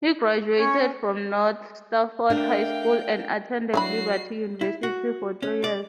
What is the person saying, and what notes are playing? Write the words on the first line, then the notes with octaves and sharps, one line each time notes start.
He graduated from North Stafford High School and attended Liberty University for three years.
C#4 C#5
A3 D4 A#4 F5 G5
E3 F#3 D4 F#4 B5 C7
E4
F#4
C#4
D5